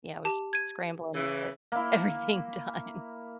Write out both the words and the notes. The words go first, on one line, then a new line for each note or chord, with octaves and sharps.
you know, s scrambling to get everything done.
G4 A5
G#6 D#7
C#3 E3
A#3 E4